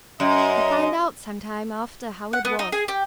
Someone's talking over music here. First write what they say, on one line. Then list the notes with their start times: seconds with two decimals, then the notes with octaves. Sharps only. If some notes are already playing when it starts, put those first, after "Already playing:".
I found out, some time after, how it was.
0.20 F#2 D#5
2.33 F#5
2.45 B3
2.59 D#4
2.72 G#4
2.88 G4